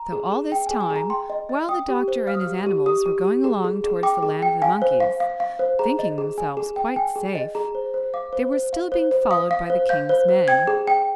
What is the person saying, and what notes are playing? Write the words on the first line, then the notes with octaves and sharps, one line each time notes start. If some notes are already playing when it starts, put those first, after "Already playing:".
So all this time, while the Doctor and his animals were going along towards the Land of the Monkeys, thinking themselves quite safe, they were still being followed by the King's men.
Already playing: A#5
G#4
G#4
G5
G#4 G#5
G#5
G#4
A#5
G5 C6
D#5
D#5
G5 D#6
G4
C5
F5 F6
D#6
F6
G4
G4
G4 D#6
G4
G4
G#4
G#4
G#4
G5 D6
G#4
G5
F5 G#5
C5
F5
F5
F5
C5
G#4 A#5
D#5
G#4
G#4 G#5
G#4
G5
G5 G#5
G#4
D#5
G#4 A#5
C5
C5
F5 D6
C5
C5
F5
C5
C5
F5 D#6
F5
C5
F5 G6
C5
C5
G5 G#6
G#4
G5